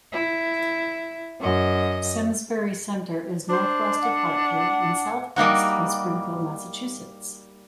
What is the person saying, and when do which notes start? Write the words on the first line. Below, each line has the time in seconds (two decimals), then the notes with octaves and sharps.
Simsbury Center is northwest of Hartford and southwest of Springfield, Massachusetts.
0.12 E4
1.40 F#2 D#5
3.49 D4 C5
4.02 F#5
5.36 G3 A#3 D#4 F#4